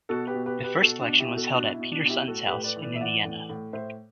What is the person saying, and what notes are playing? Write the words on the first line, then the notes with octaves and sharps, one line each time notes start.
The first election was held at Peter Sutton's house in Indiana.
B2 F#4 A4
G4 B4
B2
G4 B4
B2
G4 B4
B2 F#4 A4
D4 F#4
B2
E4 G4
B2
F#4 A4
B2 D4 F#4
E4
B2
D4
B2
E4 G4
A2 F#4 A4
G4 B4
A2
B4 D5
E3
B4 D5
E5
E3 D5 F#5
A2
A2
A2 C5 E5